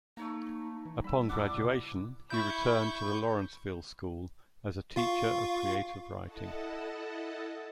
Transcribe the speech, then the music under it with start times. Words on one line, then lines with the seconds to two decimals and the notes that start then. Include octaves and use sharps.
Upon graduation, he returned to the Lawrenceville School as a teacher of creative writing.
0.17 A3 A#3 D#4 C#5 A#5
0.85 E3
1.04 G3 B5 E6
1.29 E2 D4 E4 F#5 D6
1.54 C3
2.30 E4 B5 C#6 G6
4.96 F4 F5 C#6
6.25 E4 A4 D#5 F#5 A5